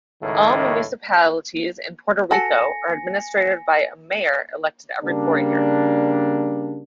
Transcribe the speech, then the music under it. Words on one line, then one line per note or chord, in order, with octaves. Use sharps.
All municipalities in Puerto Rico are administered by a mayor, elected every four years.
C#2 A2 D#3
F#4 A4 G#5 A#6 C#7
C#3 G3 A#3 D4